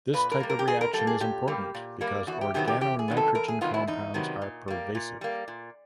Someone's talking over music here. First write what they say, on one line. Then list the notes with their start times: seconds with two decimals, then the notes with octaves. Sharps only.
This type of reaction is important because organonitrogen compounds are pervasive.
0.13 A#2 B4
0.31 A#4
0.40 G3 A#3
0.49 A#4
0.59 G4
0.67 A#2 G#4
0.81 A#4
0.93 G3 A4
0.98 A#3
1.07 G#4
1.20 A#2 G4
1.48 G3 A#3
1.74 A#2
2.01 G3 A#3
2.27 E2 F#4
2.41 G4
2.54 C3 D#3 F#3 B3 G4
2.68 G4
2.81 E2 G4
2.99 G#4
3.08 C3 D#3 F#3 B3
3.17 A4
3.35 E2 A#4
3.48 G#4
3.61 C3 D#3 F#3 B3 F4
3.74 E4
3.87 E2 D#4
4.14 C3 D#3 F#3 B3
4.42 A#2
4.68 G3 A#3
4.95 A#2
5.21 G3 A#3
5.48 A#2